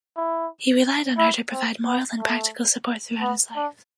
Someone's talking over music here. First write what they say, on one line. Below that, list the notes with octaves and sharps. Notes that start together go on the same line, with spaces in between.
He relied on her to provide moral and practical support throughout his life.
E4
E4
C4
B3
A3
B3
D4